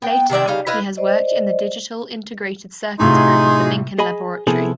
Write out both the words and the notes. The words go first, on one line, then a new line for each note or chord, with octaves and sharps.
Later, he has worked in the Digital Integrated Circuits Group of the Lincoln Laboratory.
B3 G5
C3 D#3 D5 E5
C#3 G3 D#4 F5
E4 B4 D#5 F5
C5 D5 D#5
A2 C3 D#4 F4 G#4 C6
G#4 D#5 G#5 B5
C3 F3 B3 E4 G#4 A4